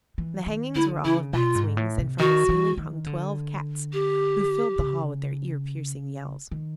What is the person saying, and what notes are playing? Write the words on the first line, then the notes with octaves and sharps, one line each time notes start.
The hangings were all of bats' wings, and from the ceiling hung twelve cats, who filled the hall with their ear piercing yells.
E3
D#3
D3 E4
C#3 E4
B2 F4
G#2
A2
C3
D#3 F#4
E3
D#3
D3
G4
C#3
D#3